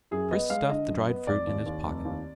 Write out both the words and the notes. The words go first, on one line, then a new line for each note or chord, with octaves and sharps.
Chris stuffed the dried fruit in his pocket.
F#2 G#4
B3 D#5
G#3 F5
D3 D#5
F#2
B3
F1 D5
D#2
D#2
F1
D#2